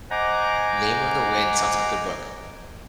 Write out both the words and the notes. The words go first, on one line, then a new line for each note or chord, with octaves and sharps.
Name of the Wind, sounds like good book.
C5 D#5 F#5 G#5 A#5 D6